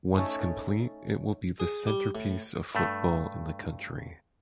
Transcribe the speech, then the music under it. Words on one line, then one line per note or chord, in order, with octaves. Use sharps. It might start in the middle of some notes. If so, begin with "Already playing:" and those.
Once complete it will be the centerpiece of football in the country.
A3 C#4 D#4 A4
G#4
G3
A2
G2 A3